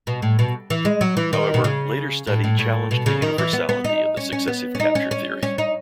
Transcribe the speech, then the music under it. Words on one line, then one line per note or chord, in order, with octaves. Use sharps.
However, later study challenged the universality of the successive capture theory.
B2
A2
B2
E3
G#3
F#3
E3
D#3
B2
C#3
A2
A2
A2
B2
C#3
D#3
E3
B3
B3
D#4
C#4
C#4
B3
C#4
D#4
C#4
C#4
C#4
D#4